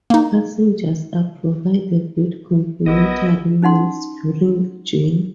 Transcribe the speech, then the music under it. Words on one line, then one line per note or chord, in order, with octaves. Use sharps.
Passengers are provided with complimentary meals during the journey.
A#3 D#4
A#1 F#3 B3 C#4 E4 G4 A#4 D#5
C#4 D#4 F#5 C6